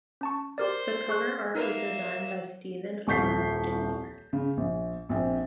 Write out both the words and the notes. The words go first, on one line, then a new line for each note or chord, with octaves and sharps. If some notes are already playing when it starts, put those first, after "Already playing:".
The cover art was designed by Steven R. Gilmore.
C#4 A5 C#6
G4 A#4 C5 D5
G#4 C#6 F#6
A#3 D#4 A#4 B4 E5
D#1 C2 C#6 G6 B6 C7
C#3
A#1
A#1 C4